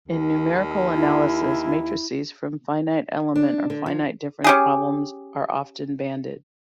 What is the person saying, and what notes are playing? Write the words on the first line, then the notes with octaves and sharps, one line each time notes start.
In numerical analysis, matrices from finite element or finite difference problems are often banded.
D#2
E4
D4
D3
F3
C#4 G4 G#4